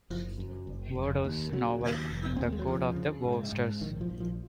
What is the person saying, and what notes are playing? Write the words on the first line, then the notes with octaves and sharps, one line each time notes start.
Wodehouse's novel "The Code of the Woosters".
F#1 F3
F#2
F#1
F1
D#2
C#3 F#3
D#2
F1
D#2 C4
A#3
G#3
F#3
C#3 F3
C#3
G#2
G#2
A#1 D#3
F3
A#1
F3